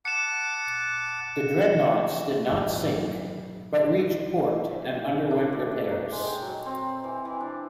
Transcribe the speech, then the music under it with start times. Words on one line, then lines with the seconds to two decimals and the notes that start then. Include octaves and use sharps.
The dreadnoughts did not sink, but reached port and underwent repairs.
0.05 F#5 A5 D6 C#7 E7
2.51 G#2 F#3
5.31 D4
5.53 A3
5.72 D5
5.91 D#4
6.12 G#3
6.24 G5
6.42 F#3
6.66 C4
7.04 E3
7.25 E3
7.41 D4